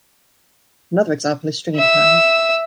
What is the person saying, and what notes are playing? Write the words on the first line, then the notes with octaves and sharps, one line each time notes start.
Another example is string interning.
E5 E6